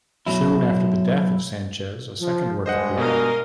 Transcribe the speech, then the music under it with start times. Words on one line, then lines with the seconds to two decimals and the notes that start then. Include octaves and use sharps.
Soon after the death of Sanchez a second work appeared.
0.27 B1 B2 F#3 E4
2.21 F3
2.66 G2 G#3 C5 D#5 F#5
2.97 B2 A#4 D#5 F5